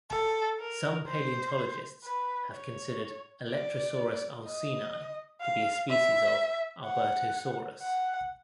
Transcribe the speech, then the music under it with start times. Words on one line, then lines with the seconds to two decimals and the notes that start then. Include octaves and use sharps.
Some paleontologists have considered "Alectrosaurus olseni" to be a species of "Albertosaurus".
0.11 A4
0.60 A#4
1.07 C5
2.04 B4
2.52 C#5
3.49 D5
4.45 D#5
5.41 F5
5.89 E5
6.86 F#5
7.82 F#5